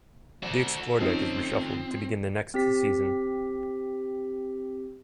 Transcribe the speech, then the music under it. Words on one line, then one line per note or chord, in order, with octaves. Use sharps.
The Explore deck is reshuffled to begin the next season.
D2 F#4 A4 D5
F3 C4 C#4 D#4
C4 G4 B6